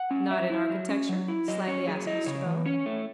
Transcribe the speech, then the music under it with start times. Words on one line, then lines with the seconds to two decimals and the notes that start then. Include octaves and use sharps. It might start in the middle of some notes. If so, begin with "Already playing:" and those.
'Not in architecture?' slyly asked Mr. Bell.
Already playing: F#5
0.11 C#4
0.30 F#3 E5
0.50 E4
0.69 F#3
0.89 C#4
1.09 F#3
1.28 E4
1.48 F#3 D#5
1.68 C#4 C#5
1.87 F#3 G#4
2.07 E4 D#5
2.26 C#3 C#5
2.46 E3
2.66 C#4 C#5
2.86 A3